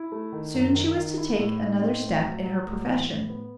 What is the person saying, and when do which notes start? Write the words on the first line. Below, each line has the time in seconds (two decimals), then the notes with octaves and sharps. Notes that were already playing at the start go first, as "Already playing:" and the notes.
Soon she was to take another step in her profession.
Already playing: E4
0.12 A3
0.32 D#3
0.54 F#2
0.74 D#3
0.96 D#3
1.18 E4
1.39 A2
1.59 D#4
1.81 C4
2.02 A2
2.24 F#3
2.44 F#3
2.67 A2
2.87 E3
3.08 A2
3.30 B3